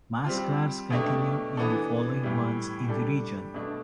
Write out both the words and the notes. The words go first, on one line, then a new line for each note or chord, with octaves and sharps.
Massacres continued in the following months in the region.
G3 C4 F4
B2 A3 D4 G4
E3 B3 D4 A4
A2 E3 G3
G3 D4 A4
B2 A3 D4